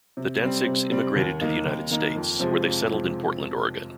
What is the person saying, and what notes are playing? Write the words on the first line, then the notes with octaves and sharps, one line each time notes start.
The Dantzigs immigrated to the United States, where they settled in Portland, Oregon.
C3
G3 C4
C3
G3 C4
D#2
D#3 A#3 D#4
D#2
D#3 A#3 D#4
F2
C3 F3 G#3
F2
C3 F3 G#3